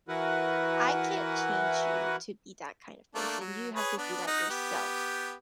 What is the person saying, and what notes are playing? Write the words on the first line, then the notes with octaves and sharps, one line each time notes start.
I can't change you to be that kind of person, you have to do that yourself.
E3 E4 F#4 A#4 B4 F#5
A3 A#3 D4
F#3
G#4 B4 C#5
B3 D4
D#4 D#5 F#5
B3 G4